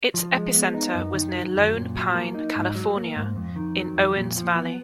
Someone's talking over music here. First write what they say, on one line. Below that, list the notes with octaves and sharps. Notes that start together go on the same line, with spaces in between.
Its epicenter was near Lone Pine, California, in Owens Valley.
F3
G#3
B3
D#4
F#2
D#3
F#3
F#2
A#2
F#3
A#3
D#4
G#2
F#3
A#3
G#2
F2
D#3
F#3
F2
A#2
F3
B3